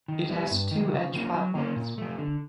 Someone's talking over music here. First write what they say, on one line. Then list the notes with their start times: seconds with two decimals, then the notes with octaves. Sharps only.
It has two edge platforms.
0.08 D#3
0.30 G3 B3 E4
0.51 G2
0.71 D#3
0.76 F#3
0.93 C#3
1.14 F3 A#3 C#4
1.34 F#3
1.55 A#3 C#4
1.76 A#2
1.98 F3 A3
2.18 D3